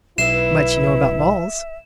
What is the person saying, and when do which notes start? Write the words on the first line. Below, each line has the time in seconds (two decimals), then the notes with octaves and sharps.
"Much you know about balls."
0.18 B1 E4 B4 E5 C7 E7